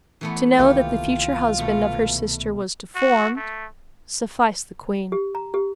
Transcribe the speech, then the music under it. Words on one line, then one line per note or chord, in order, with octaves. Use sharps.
To know that the future husband of her sister was deformed, sufficed the queen.
E3 A3 B3
C2 D#3 A3 A#3 F4 G4 A4
B2 A3
F#4
A3
G4
A#5
G4